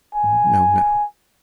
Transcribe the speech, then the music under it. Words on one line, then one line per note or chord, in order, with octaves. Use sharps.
"No, no."
G#5